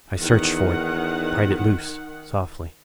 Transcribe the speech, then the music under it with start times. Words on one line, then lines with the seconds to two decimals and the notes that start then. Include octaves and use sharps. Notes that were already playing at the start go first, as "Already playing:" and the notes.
I searched for it, pried it loose softly.
0.20 E2 D#3 F#5